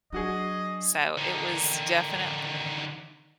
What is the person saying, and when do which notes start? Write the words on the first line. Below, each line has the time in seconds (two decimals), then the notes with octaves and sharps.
so it was definitely
0.12 F#3 D4 F#4 G#4 D#5
1.17 D3 D#3